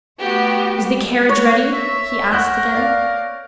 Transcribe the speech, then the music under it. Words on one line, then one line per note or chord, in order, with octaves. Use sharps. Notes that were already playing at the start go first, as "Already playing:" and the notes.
"Is the carriage ready?" he asked again.
A3 B3 F#4 G4
F#4 C#5
E5
A#4 F#5 F#6 G6
D5 F5